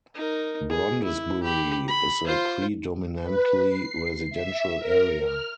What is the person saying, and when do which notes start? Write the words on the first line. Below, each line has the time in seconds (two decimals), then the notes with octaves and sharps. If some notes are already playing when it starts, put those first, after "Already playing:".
Brondesbury is a predominantly residential area.
0.15 D#4 A#4
0.70 G#4
1.04 E4
1.43 G4 B5
1.88 B5
2.26 F4 C5
3.22 B4
3.67 C7
4.30 E5
4.79 A#4
5.22 F6